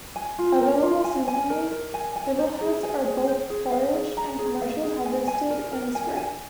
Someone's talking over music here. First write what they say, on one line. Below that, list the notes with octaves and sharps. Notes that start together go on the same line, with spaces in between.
Available seasonally, fiddleheads are both foraged and commercially harvested in spring.
G#5
F4
A#4
F4
G#5
G#5
A#4
A#4
G#5
G#5
C5
G#4
G#5
G#4
C5
G#4
F5
G#4
A#5
G#4
F5
G#4
G#5
G#5
A#4
A#4
G#5
G#5